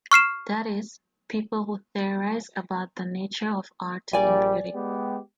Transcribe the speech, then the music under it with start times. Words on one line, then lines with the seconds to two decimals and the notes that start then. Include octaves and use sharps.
That is, people who theorize about the nature of art and beauty.
0.11 C#6 F6 C7 E7
4.13 A#1 G3 D5 G#5
4.73 G#3 B3 G4